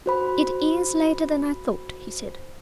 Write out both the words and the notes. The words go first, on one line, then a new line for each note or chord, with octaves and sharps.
"It is later than I thought," he said.
F#4 C5 B5